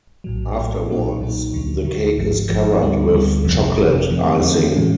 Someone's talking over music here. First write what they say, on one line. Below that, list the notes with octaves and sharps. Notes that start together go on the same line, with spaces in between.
Afterwards, the cake is covered with chocolate icing.
A#1 A2 F#3
A#1 A2 F#3
B1 A#2 F#3 A#3 D#4
B1 A#2 F#3 A#3 D#4
D2 D3 F#3
D2 D3 F#3
G#1 G#2 F3
G#1 G#2 F3
D2 D3 G3 B3
D2 D3 G3 B3
G1 F2 C3 F3
G1 F2 C3 F3
F2 D3 F3 A3 C4
F2 D3 F3 A3 C4
A2 E3 G#3 C#4